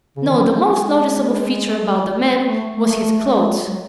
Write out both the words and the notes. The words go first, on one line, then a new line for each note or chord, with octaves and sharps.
No, the most noticeable feature about the man was his clothes.
C#3
D#3
E3
F#3
G#3
A3
A3
A3
G#3
G#3
F#3